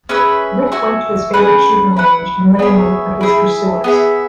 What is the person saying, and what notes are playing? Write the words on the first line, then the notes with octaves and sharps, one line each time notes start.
Rick went to his favorite shooting range and lay in wait for his pursuers.
C#4 G#4 B4 E5
F#4 E5 G#5
C#4 G#4 B4 F#5
E4 B4 F#5
B3 G#4 C#5 E5
E4 G#4 E5
B3 G#4 E5